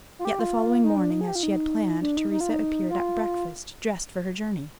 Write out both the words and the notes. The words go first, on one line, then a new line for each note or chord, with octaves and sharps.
Yet the following morning, as she had planned, Theresa appeared at breakfast dressed for her journey.
F4
G4
F4
D#4
D4
D#4
G#4
G4
F4
D#4
D4
D#4
D#4
F4
D#4
F4